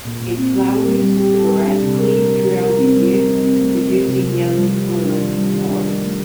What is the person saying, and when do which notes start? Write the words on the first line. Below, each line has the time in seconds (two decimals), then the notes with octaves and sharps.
It flowers sporadically throughout the year producing yellow coloured flowers.
0.05 A#2
0.21 A#2
0.37 C4
0.53 C4
0.69 G4
0.86 G3
1.02 G3
1.17 G4
1.34 A4
1.49 G3
1.66 D4
1.82 C3
1.99 A#4
2.14 A#4
2.30 A#4
2.47 F3
2.63 A#4
2.79 C4
2.96 G3
3.11 A#4
3.28 D#4
3.43 C4
3.59 A3
3.76 A3
3.92 F3
4.08 C3
4.23 C3
4.40 F3
4.56 G3
4.72 F4
4.88 F4
5.05 D4
5.21 D#3
5.36 G3
5.54 D#3
5.69 D4
5.85 D#4
6.02 A3